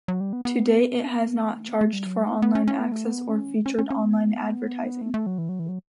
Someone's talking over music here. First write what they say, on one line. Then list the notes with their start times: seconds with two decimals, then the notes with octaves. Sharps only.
To date it has not charged for online access or featured online advertising.
0.08 F#3
0.20 G3
0.33 B3
0.45 B3
1.56 A3
1.69 B3
1.81 A3
1.93 G3
2.06 F#3
2.18 G3
2.25 A3
2.30 B3
2.42 B3
2.55 C#4
2.68 C#4
2.80 B3
2.92 A3
3.05 B3
3.29 C#4
3.66 C#4
3.79 C#4
3.90 C#4
4.03 B3
5.02 A3
5.14 A3
5.26 F#3
5.38 E3
5.49 F#3
5.59 E3
5.69 F#3